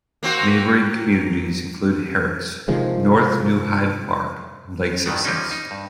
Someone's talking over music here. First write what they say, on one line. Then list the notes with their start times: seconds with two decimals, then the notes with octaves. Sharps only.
Neighboring communities include Herricks, North New Hyde Park, and Lake Success.
0.23 A#3 C4 F#4
2.68 C3 D#3 F3 G#3
5.06 G2 B2 D#3 A3 B3
5.25 F3 G3 C4 C#4 D#4
5.51 D#4
5.71 G2